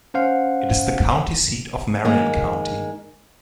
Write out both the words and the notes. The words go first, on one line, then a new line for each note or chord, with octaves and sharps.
It is the county seat of Marion County.
C#4 C5 F5 F#5
D#3 G#3 A#3